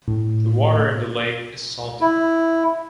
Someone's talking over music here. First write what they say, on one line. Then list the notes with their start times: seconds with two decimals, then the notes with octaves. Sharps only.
The water in the lake is salty.
0.08 A2
2.01 E4